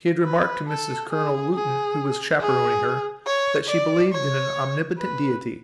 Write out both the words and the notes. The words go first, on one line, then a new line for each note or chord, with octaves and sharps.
She had remarked to Mrs Colonel Luton, who was chaperoning her, that she believed in an Omnipotent Deity.
B4
A4
G#4
G#4
G#4
C#5
D5
C#5
B4